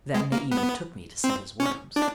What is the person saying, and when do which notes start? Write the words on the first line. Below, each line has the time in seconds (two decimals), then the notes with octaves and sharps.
Then Niimi took me to see his worms.
0.14 G#3
0.32 A#3
0.51 B3
1.24 C4
1.60 C#4
1.96 D4